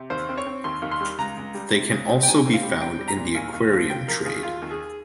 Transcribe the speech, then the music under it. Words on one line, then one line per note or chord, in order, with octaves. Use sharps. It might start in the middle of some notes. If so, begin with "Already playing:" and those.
They can also be found in the aquarium trade.
Already playing: C3
D#2 C5
C4
C#5
C4
D#2 C6
D#2
C6
G3
C#2 A#5
C#2
G3
C3
C#2
C3
G5
D#4 G#5
C4
F5
G3
C4 G5
G3
A#5
A#2
D#2 G#5
D#2
F3
C#3 G5
F3 A#4
D#2 G#4
D#2 F4
D#2
G#4